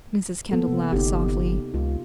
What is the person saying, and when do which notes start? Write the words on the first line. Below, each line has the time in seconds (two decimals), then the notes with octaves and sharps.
Mrs. Kendall laughed softly.
0.51 A#3 B3 A4
0.68 C3
0.93 G1 D#4 G4
1.74 C#2 F4